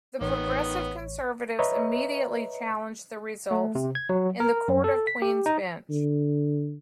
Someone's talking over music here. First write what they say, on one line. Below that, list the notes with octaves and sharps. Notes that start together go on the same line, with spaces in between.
The Progressive Conservatives immediately challenged the results in the Court of Queen's Bench.
A1 D#3 B3 C#5
B4 C#5 D#5 E5 A#5
A3
C3
G#6
F#3
A#4
F#2
A4
B6
G4
D#4
D3